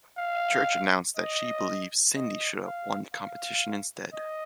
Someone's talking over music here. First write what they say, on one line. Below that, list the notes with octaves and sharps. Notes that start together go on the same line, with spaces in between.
Church announced that she believed Cyndi should have won the competition instead.
F5
D#5
D#5
F5
F5
D#5